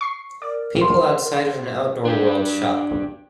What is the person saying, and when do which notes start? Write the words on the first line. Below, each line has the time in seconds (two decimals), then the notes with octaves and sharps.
People outside of an Outdoor World shop.
0.01 C#6 C7
0.42 A#4 D5
0.81 C6
2.05 D4 G4